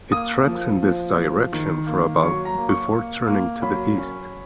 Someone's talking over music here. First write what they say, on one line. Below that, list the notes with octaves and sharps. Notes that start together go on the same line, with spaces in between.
It treks in this direction for about before turning to the east.
A#3 D#6
F3
F3
F3
D#3
A#3
F#3 C#6
A#5
A#3
C#6
A#3
A#3
F#3 B5
C#4